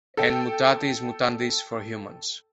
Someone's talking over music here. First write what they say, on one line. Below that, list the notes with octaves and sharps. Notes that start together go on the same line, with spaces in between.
And "mutatis mutandis" for humans.
A4 G5